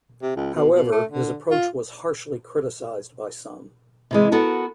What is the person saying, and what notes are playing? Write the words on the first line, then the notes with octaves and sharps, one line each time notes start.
However his approach was harshly criticised by some.
C3
C#2
B2
B2
A3
D3
F4
C3 E3 G#3
B3 F#4 A4 A#4